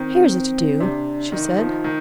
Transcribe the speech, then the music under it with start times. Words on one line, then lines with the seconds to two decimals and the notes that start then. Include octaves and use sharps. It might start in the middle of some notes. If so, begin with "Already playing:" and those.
"Here's a to-do," she said.
Already playing: D#3 C4
0.80 C3 D4
1.32 D#3 D#4
1.58 F3
1.84 D#3